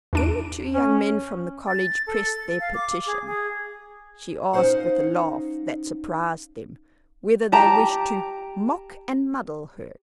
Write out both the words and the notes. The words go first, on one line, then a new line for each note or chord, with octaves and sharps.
When the two young men from the College pressed their petition, she asked, with a laugh that surprised them, whether they wished to "mock and muddle" her.
E2 D4 D7
C#4
A6
A4
A6
F5
D6
G#4
G#4
C#4 D#4 G4 C5 F5 F#5
G4 A5 A#5